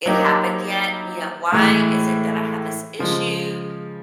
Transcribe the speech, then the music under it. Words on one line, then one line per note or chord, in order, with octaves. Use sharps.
it happened yet? You know, why is it that I have this issue?"
F#3 A#3 D#4 G4
A2 E3 G#3
C#3 F3 G#3